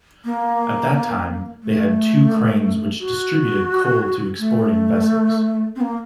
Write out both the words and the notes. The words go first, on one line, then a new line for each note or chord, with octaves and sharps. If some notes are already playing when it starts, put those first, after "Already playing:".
At that time, they had two cranes which distributed coal to exporting vessels.
A#3
A3
F#4
A3
C4
A#3